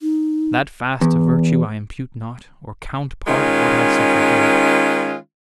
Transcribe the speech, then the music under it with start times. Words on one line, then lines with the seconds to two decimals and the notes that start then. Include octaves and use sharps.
That fast To virtue I impute not, or count part Of what I suffer here.
0.01 D#4
1.01 E2
3.27 D#3 G#3 C#4 F4